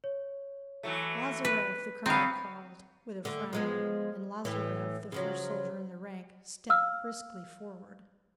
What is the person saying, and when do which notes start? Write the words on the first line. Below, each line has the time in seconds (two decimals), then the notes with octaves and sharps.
"Lazarev!" the colonel called, with a frown, and Lazarev, the first soldier in the rank, stepped briskly forward.
0.04 C#5
0.83 E3 F#3 A3
1.45 B4 B6
2.06 D3 F#3 B3 C4 F5 A#5 B5
3.25 D3 A3
3.53 F3 G#3 B3
4.45 A2 E3
5.12 C#3 F3 F#3
6.69 F5 E6 F6